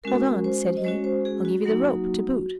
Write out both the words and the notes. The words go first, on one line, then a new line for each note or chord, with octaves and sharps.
"Hold on," said he, "I'll give you the rope to boot."
G#3 C#4 F#4 A#4
C5
D#5
G#3 C#4 F#4 C#5
C5
G#4
F#4
F#3 A#3 D#4